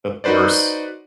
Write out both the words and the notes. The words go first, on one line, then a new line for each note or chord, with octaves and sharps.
That's worse.
D#4 F#4 B4 C5 D5